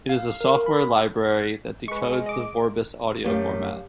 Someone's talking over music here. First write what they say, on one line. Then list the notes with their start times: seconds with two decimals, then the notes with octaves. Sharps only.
It is a software library that decodes the Vorbis audio format.
0.09 F5
0.41 A#4
0.66 B5
1.88 G#3 B4 C#6
2.26 D#5 D6
3.25 F#2 A3 G4 F5